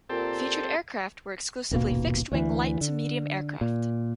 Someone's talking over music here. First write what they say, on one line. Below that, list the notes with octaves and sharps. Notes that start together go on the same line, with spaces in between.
Featured aircraft were exclusively fixed-wing light to medium aircraft.
A#2 C4 G4 A4
D#1 G#1 B2 A#3
D2 E3
D3
A#2